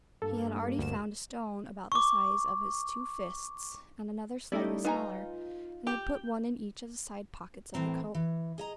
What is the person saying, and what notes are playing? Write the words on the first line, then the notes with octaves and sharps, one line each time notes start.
He had already found a stone about the size of his two fists, and another slightly smaller, and had put one in each of the side pockets of the coat.
G2 A#3 A4
D2 E7
C#6 D6
G3 A3 C#4 D#4 E4 D5
D#4 F4 B4 G#5 A#5
G4 G6
A2 E3 C4 A#5
E3
G#4 D#5 A#5